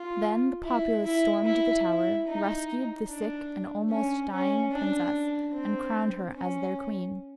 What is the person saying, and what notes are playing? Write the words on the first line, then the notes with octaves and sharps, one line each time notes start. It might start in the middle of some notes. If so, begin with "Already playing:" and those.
Then the populace stormed the tower, rescued the sick and almost dying princess, and crowned her as their queen.
Already playing: F4
E4
E4
E4
E4
D#4
D4
C#4
C#4
D4
C4
C#4